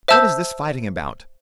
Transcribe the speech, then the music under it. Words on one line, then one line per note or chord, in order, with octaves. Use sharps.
What is this fighting about?
C5 E5 A5 E6 G6